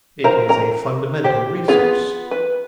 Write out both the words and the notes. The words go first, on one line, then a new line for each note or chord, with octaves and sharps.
It is a fundamental resource.
A#4 C5 A#5
A#4 A#5
G4 C5
B3 F4 G#4
B4